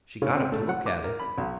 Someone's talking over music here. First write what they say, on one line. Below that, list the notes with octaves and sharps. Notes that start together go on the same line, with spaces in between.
She got up to look at it.
C#3
C4
A3
F#5
D6
A#4
B5
B1